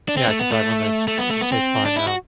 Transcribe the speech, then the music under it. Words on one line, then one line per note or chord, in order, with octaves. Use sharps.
Yeah, I can drive on the insters interstate fine now.
D4
C4
A3
B3
A3
A3
B3
A3
B3
C4
D4
E4
F#4